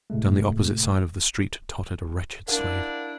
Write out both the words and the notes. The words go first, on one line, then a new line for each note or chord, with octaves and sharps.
Down the opposite side of the street tottered a wretched slave.
A2 C3 G#3 A3
D4 E4 A#4 F5 F#5